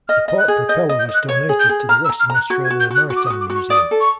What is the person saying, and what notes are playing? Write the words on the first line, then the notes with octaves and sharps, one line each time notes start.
The port propeller was donated to the Western Australia Maritime Museum.
D#5 F6
D#5
F#6
G#4
D#5 G6
D#5
G6
D#5
F#6
C#5 G#6
G#4
G6
G#4
A#5 F6
E6
A#5
F6
A#5 F#6
F#4 G#6
G#6
F#4
G6
F#4 F#6
F#4
D6
D#6
F#4
D6
F#4
C#6
D5 D#6
A4
C#6